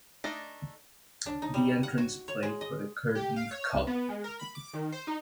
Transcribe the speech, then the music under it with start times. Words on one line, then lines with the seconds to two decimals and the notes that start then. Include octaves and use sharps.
The entrants play for the Kurt Lief Cup.
0.24 A3 D4 D#4 D5 D#5
1.26 D4
1.42 D#4
1.54 G3
1.83 F#5
1.98 F#4
2.28 C#5
2.43 G#3
2.61 D#5
3.15 G4
3.36 F5
3.51 C#5
3.74 C2
3.87 B3
4.09 G#3
4.24 A#4
4.39 B5
4.55 D6
4.73 D#3
4.92 C5
5.07 D#4